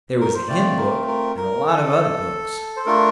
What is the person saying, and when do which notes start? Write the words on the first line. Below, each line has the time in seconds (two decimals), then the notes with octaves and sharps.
There was a hymn book, and a lot of other books.
0.21 A#4
0.35 C5
0.48 A3 C4 F4 D5
0.77 A#4
1.07 A#4
1.37 A#4
1.67 A4
2.77 C5
2.86 A3 D4 F4 A#4